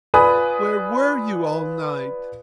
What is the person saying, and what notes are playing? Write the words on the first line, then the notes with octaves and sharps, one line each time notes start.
"Where were you all night?"
F4 B4 D5 G#5 B5 D#6